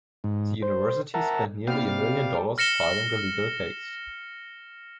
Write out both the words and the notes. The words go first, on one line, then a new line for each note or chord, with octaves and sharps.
The university spent nearly a million dollars fighting the legal case.
G#2
C5
A#4 E5 F#5 A5 A#5
C3 G3 A#3 D#4 F5
F6 A#6 C#7 E7 G7